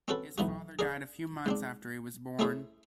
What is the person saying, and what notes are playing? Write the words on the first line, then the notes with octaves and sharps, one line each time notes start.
His father died a few months after he was born.
C4 C#4 F#4 A4 B4
B1 E3 D#4 F#4
G#4 A#4 D5 F5
G#2 C4 D4
A3 C#4 E4 G#4 C5 E5